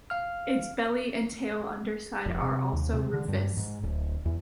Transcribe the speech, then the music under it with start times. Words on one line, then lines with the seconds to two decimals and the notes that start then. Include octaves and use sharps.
Its belly and tail underside are also rufous.
0.10 F5 F6
2.26 F1
2.42 C3
2.73 D#2
2.93 C3
3.13 D3
3.28 G2
3.57 G#2
3.83 D1
4.25 E2